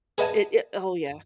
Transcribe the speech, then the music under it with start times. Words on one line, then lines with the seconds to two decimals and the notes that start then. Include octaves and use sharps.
It it Oh, yeah.
0.18 G#4 B4 D#5 F#5 G#5 A5